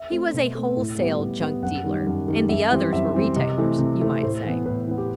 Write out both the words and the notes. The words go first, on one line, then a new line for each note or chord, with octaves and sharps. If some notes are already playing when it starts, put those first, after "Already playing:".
He was a wholesale junk dealer and the others were retailers, you might say.
Already playing: E5
A3 C4
B2
A3 C4
A2
G3 B3
A2
G3 B3
F#2 F#5
D#3 G3
F#2
D#3 G3
F#2 E5
E3 G3 C4
F#2 E5
E3 G3 C4
C3 D#5
E3 A3 C4
C3
E3 A3 C4
A2 C5
E3 B3
A2 B4
E3 B3
G4